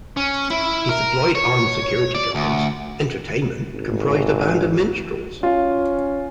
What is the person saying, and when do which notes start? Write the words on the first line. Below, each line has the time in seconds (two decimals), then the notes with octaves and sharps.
He supplied armed security guards, entertainment, comprising a band of minstrels.
0.17 C#4
0.51 E4
0.89 A#4
1.35 C#5
2.15 D5
2.35 D2
3.74 G#1
5.43 C#4 F4